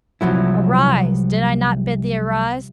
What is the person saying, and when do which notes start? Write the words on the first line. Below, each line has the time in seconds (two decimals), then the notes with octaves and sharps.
"Arise! did I not bid thee arise?"
0.21 C2 G2 F3 F#3 E4